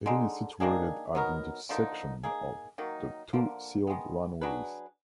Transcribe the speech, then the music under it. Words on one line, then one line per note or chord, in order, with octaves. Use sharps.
It is situated at the intersection of the two sealed runways.
D3 G#3 D#4
D#3 A#3 D4 G#4
F#3 B3 D#4 A#4
D3 F3 A#3 D#4
A#3 D#4 G#4
D#3 F#3 A#3 D#4
D3 F3 A#3
D#3 G#3 B3
F#3 D4 G#4 B4